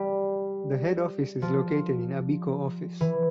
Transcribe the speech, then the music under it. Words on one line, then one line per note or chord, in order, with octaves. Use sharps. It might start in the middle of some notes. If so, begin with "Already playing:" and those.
The head office is located in Abiko Office.
Already playing: G3
F3
E3